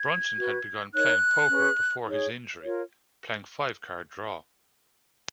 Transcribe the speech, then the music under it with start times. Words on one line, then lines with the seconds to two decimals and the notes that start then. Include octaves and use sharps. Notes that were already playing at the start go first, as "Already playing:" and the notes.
Brunson had begun playing poker before his injury, playing five-card draw.
Already playing: G#6
0.37 F#4 B4
0.93 D#4 A#4 C#5 F#6
1.49 C#4 G#4 B4
2.06 D#4 G#4 C#5
2.62 F4 A#4 C#5